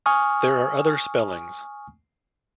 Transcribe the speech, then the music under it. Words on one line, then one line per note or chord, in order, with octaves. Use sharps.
There are other spellings.
G#5 C#6 D#6 F6